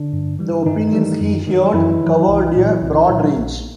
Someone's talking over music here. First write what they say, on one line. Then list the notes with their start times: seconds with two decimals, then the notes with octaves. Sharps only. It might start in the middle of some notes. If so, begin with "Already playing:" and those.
The opinions he heard covered a broad range.
Already playing: D3 D4
0.13 G2
0.39 E3 G3
0.66 G2 D#3 D#4
0.93 E3 G3
1.21 F#2
1.47 D#3 F#3
1.73 F#2 E3 E4
2.02 D#3 F#3
2.28 C2
2.55 A#2 F#3
2.82 C2
3.09 A#2 F#3
3.36 A#1